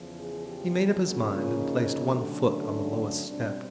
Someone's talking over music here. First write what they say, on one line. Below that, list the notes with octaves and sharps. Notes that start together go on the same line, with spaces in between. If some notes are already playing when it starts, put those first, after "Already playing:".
He made up his mind, and placed one foot on the lowest step.
Already playing: E2 C#3 F3
G#4
G4
C#3 F3 A#3 C#4 F#4
F4
D#4
D3 F#3 A3 C#4 D4
B2 G3 C4 D4